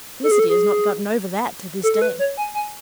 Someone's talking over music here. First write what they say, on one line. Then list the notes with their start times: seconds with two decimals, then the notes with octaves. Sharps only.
Felicity has not gotten over that to this day.
0.23 A4
0.32 G#4
0.39 A4
0.50 G#4
1.83 A4
1.94 A4
2.02 B4
2.19 C#5
2.37 G#5
2.54 G#5